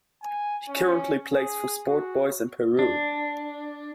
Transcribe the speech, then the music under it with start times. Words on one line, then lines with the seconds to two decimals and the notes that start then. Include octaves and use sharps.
He currently plays for Sport Boys in Peru.
0.22 G#5
0.69 C#4
1.32 G#4
1.88 F#4
2.79 D4